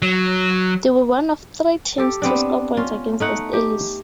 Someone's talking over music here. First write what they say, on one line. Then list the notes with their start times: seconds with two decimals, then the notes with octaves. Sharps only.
They were one of three teams to score points against the Staleys.
0.02 F#3
1.98 G4 A4
2.22 B3 C4 D4
2.77 C#4 F4
3.20 A3 D#4 F#5
3.53 G4